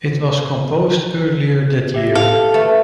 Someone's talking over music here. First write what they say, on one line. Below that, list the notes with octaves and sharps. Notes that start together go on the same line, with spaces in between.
It was composed earlier that year.
G4 E5 A#6
A4 F5
A3 B4 A6